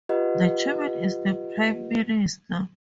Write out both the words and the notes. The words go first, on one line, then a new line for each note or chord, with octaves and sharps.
The chairman is the prime minister.
F4 G4 B4 D#5 F#5